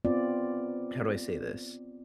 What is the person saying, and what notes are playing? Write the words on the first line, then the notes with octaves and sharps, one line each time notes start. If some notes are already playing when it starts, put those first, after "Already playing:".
how do I say this?
B3 C4 F4 D5